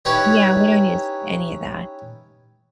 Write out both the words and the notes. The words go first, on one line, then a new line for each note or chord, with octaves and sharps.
Yeah, we don't use any of that.
C#4 D#4 E4 G4 B4 C#5